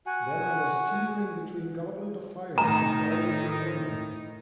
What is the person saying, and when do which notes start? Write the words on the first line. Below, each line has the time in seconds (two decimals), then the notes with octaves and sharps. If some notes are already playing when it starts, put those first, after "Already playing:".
Then I was teetering between "Goblet of Fire" and "Triwizard Tournament".
0.06 F#4 F#5 G#5
2.58 A2 D#3 D#4 A#5